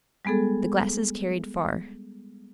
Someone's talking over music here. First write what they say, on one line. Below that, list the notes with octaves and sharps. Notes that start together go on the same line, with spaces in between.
The glasses carried far.
G3 G#3 B3 G#4 A4